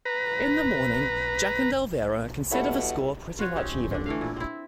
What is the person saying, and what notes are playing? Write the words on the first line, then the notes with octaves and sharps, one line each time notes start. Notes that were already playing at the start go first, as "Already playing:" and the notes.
In the morning, Jack and Elvira consider the score pretty much even.
B4 A#5
B2 G3 E4 F4 A4 B4 C#5 F#5
F4 F#4 B4 C#5
C4 C#4 D#4 G4
D3 D4
E3 A3 F5
A#2 E4
C4 E4